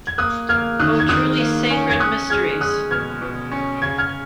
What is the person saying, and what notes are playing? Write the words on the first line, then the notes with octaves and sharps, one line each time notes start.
O truly sacred mysteries!
G#6
A#3 D#6 F#6
A#3 F6 G#6
D#3 D#6 F#6
G#6
D#3 D#6 F#6
A#3
C#4
G#6
C#4 D#6 F#6
G#3 F6 G#6
G#3 D#6 F#6
B2 F6 G#6
B2
C#4
C#3 G#6
F6 G#6